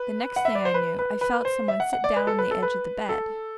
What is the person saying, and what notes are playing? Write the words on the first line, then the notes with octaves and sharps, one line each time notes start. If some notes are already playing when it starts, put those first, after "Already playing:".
The next thing I knew, I felt some one sit down on the edge of the bed.
Already playing: B4
F#5
E5
D5
C5
B4
B4
B4
C5
E5
F#5
F#5
D5
B4
A4
B4
A4
B4
A4